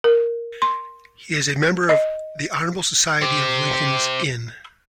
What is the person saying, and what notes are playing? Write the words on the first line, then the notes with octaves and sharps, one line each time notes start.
He is a member of the Honourable Society of Lincoln's Inn.
A#4
C6
D#5
C4 G4